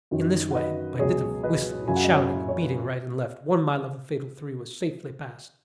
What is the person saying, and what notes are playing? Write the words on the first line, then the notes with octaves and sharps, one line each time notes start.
In this way, by dint of whistling and shouting, and beating right and left, one mile of the fatal three was safely passed.
F#2 D#3 F#3
F#5
B4 D#5
C#2 B2 F#3 G#4 C#5
B4 D#5
F#2 C#3 F#3 G#5
F#5
D#5
C#5 F#5
C#5
B4